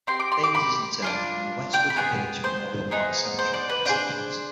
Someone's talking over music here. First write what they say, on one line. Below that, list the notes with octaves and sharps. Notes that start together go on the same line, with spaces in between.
Davis is interred in the Westwood Village Memorial Park Cemetery in Los Angeles.
C4 G4 C6
D6
C6
D6
B5
D4 F4 G#4
G5
B5
B3 F4 G#4 G#5
C5
B3 D#4 G#4
C5
D5
B4
D4 F4 G#4 C5